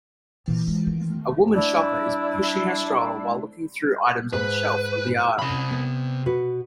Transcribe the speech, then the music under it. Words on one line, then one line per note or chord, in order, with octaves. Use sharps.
A woman shopper is pushing her stroller while looking through items on the shelf of the aisle.
A#2 E3
G#3
D#3
D4 E4
G#2 B4
C3 C#4 B5
B3
B2 F#4 B4